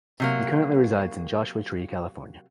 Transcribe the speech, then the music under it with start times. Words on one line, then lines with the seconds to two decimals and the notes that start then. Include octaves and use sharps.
He currently resides in Joshua Tree, California.
0.20 C3 F#3 A#3